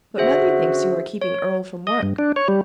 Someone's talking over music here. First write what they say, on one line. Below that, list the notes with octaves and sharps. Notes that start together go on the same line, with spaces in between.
"But mother thinks you are keeping Earle from work."
D3 C#4 F#4 G#4 C5 E5
C#5
D#5
G2
D4
C#5
G3